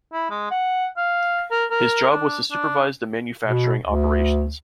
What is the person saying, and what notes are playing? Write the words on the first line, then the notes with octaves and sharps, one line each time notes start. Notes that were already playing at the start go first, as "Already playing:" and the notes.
His job was to supervise the manufacturing operations.
E4
G#3
F#5
F5
A#4
A#4
D4
D4
B2
D2